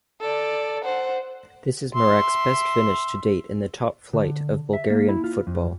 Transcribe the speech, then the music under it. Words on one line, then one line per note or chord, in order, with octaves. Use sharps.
This is Marek's best finish to date in the top flight of Bulgarian football.
A4 D5
C5 F#5
E5 C6
D3
E5
A#3
E4
F4
F2